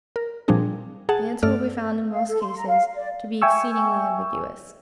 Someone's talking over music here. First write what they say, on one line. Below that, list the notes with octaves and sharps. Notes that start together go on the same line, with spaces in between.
The answer will be found in most cases to be exceedingly ambiguous.
A#4
A#2 F3 G3 C4 D4 G#4
G#4 F#5 A5
G2 A3 A4 D5 F6
F5
A4
C6
A#5
F5
D5
E5 G5 G#5 C#6 E6